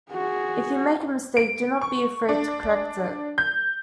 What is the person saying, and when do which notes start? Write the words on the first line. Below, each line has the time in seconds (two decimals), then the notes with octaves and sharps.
If you make a mistake, do not be afraid to correct it.
0.12 F#4 G#4
1.37 D7
1.81 C#6
2.29 D4
3.38 G6